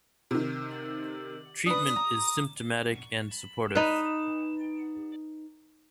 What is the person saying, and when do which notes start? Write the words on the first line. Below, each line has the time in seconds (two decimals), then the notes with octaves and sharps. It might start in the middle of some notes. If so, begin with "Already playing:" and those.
Treatment is symptomatic and supportive.
0.31 C3 D#3
1.66 D4 B4 D#6
1.96 A#5
3.75 D#4 B4